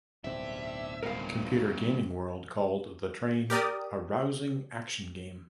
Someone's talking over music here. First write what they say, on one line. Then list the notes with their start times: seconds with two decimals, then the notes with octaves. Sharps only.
"Computer Gaming World" called "The Train" "a rousing action game".
0.24 D1 B1 C4 D4 G4 E5
1.03 G2 C#3 G#3 B3 A#4 F5
3.50 G4 A#4 D5 D#6